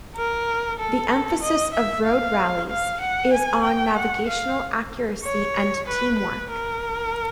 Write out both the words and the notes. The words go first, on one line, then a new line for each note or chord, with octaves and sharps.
The emphasis of road rallies is on navigational accuracy and teamwork.
A#4
A4
D#5
E5
F5
F5
F#5
G#5
G5
F#5
F5
C#5
B4
B4
A#4